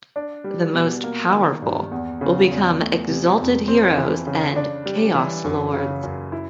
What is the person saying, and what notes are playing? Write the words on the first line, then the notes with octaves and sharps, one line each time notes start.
The most powerful will become "Exalted heros" and "Chaos lords".
D4
G3
B2
A#3
D#3
G2
E2
C#3
E2
A3
C3
F2
C4
E3
C#3
D4
G3
E3
F#2
C#3
F#2
E4